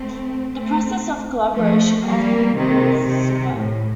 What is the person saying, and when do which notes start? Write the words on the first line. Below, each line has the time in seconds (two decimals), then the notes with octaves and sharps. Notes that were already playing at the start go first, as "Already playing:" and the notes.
The process of collaboration often improves the work.
Already playing: A3 C4
0.54 A3 C4
1.55 F3 A3
2.05 G3 A#3
2.56 C3 D#3
3.06 C3
3.57 A2